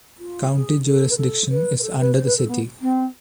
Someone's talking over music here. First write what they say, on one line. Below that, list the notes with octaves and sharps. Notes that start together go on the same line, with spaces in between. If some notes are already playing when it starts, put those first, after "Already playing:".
County jurisdiction is under the city.
F4
G#4
A4
B4
A4
B4
B4
A4
B4
C5
B4
A4
B3
C4